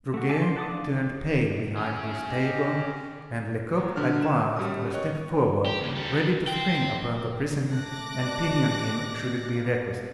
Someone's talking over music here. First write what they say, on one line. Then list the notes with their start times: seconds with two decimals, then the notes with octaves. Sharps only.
Goguet turned pale behind his table, and Lecoq advanced a step forward, ready to spring upon the prisoner and pinion him should it be requisite.
0.14 A3 F#4
0.29 D5 E5 G#5 A5 D6
0.41 C6
0.56 F#5 A5 D6 D#6
0.70 D4 D5 F5
1.77 A3 C#4 G#4
2.31 G4 D#5
3.78 A#2 F#3
3.96 D3 D4 F6
4.23 E7
4.56 B2 G3 C#4 A#4 D#6
4.93 C#5 D#5 G5 C#6 F#6
5.65 G4
5.80 D#2 C#3
5.96 D#3 G3
6.47 C5 G5
7.71 A3 D6 F#6 A#6
8.18 D#3 G3 D4
8.57 G#4
9.55 C#3 F5